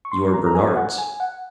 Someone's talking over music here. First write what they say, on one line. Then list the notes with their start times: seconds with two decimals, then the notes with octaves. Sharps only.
"You are Bernard's."
0.05 C#6
0.12 C6
0.34 A#5
0.46 A#5
0.55 G#5
0.66 G#5
0.76 F#5
0.98 G#5
1.20 F#5